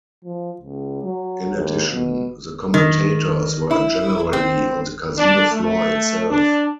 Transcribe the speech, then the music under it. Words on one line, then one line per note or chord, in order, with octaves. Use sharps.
In addition, the commentators were generally on the casino floor itself.
F3
C#2
F#3
D#2
B2
D#3
E4
C4
D4
A3
D4